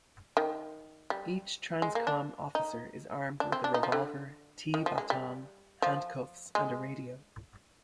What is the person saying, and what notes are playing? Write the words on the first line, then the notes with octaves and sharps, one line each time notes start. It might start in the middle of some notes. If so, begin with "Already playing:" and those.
Each TransCom Officer is armed with a Revolver, T-baton, Handcuffs and a Radio.
D#3
G3
G#3
A#3
D4
D#4
D4
C4
D4
D#4
F3
D3
D#3
F3
G#3
G3
F3
G#3